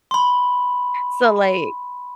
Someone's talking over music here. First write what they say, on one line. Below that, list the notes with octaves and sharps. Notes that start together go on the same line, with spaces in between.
So, like
B5 C6